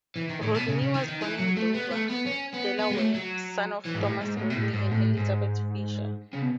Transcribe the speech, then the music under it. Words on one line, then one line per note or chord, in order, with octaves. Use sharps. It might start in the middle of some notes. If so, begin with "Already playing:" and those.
Rodney was born in Dover, Delaware, son of Thomas Rodney and Elizabeth Fisher.
E3
D#3
A2
B2
C#3
C#3
D#3
D#3
E3
F#3
A3
B3
A3
B3
C#4
B3
B3
G#3
A3
F#3
E3
G#2
A2
G#2
A2
B2
A2
G#2
A2
G#2
C#3
B2